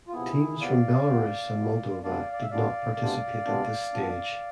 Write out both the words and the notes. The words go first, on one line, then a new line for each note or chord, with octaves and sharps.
Teams from Belarus and Moldova did not participate at this stage.
F4
D2 C3 F3 B3 E4 G#4
D2 C3 F3 B3 D5 F5
D2 C3 F3 B3
D2 C3 F3 B3
D2 C3 G#3 B3 D4 D5 F5
D5
E5
D2 C3 G#3 B3 D4 D5 F5
D2 C3 G#3 B3 D4
D2 C3 G#3 B3 D4
G#2 F3 B3 D4